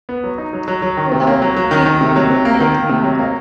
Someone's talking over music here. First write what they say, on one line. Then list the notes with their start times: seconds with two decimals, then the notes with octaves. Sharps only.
Without treatment death may occur.
0.09 B3
0.24 F#3
0.38 D#4
0.53 F#3
0.68 F#3
0.82 F#3
0.97 D#3
1.12 C3
1.27 A#3
1.42 F#3
1.56 F#3
1.71 D#3
1.86 D#3
2.01 C3
2.16 F#3
2.30 C3
2.45 A#3
2.60 D#3
2.75 D#3
2.89 C3
3.04 F#3
3.19 A#3